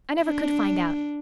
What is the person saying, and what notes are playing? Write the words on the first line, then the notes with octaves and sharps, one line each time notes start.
I never could find out.
D4